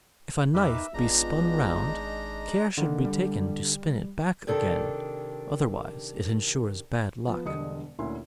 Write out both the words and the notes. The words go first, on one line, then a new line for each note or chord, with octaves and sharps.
If a knife be spun round, care should be taken to spin it back again, otherwise it insures bad luck.
E2 D#4 G4 A#4 B4 E5
G#1 G#3 B3 D4 D#4 F4 A#5
D3 D#3 A#3
G3
C3 D#3 D4 A4
F3 B3 B4
E1 D3 G3 D#5 D#6 C#7
D2 A#2 C#4 E4 A#4 C6